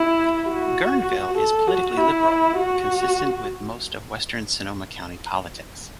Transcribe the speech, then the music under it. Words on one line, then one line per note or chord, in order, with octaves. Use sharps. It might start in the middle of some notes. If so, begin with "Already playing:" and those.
Guerneville is politically liberal, consistent with most of western Sonoma County politics.
Already playing: E4
F#4
A4
F#4
E4
F#4